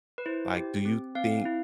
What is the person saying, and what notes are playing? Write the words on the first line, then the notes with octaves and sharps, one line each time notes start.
like, do you think
B4
E4 C5
G4
C4
C4 F5
E4